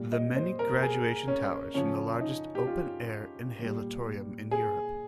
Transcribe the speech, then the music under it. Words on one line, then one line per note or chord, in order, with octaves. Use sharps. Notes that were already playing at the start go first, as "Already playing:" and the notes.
The many graduation towers form the largest open air inhalatorium in Europe.
Already playing: A#2 G3
D#5
C5
A#4
G#4
C#4
C#3 F3 C#4
D#4
G4
F4
A#2
G3
G#4